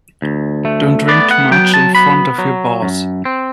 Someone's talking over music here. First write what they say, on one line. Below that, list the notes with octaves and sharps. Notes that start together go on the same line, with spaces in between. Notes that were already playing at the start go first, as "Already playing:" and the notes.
Don't drink too much in front of your boss.
D2
A3
B3 D5
F#5
F#3 G5
A5
B3 B5
F#3
F#2
C4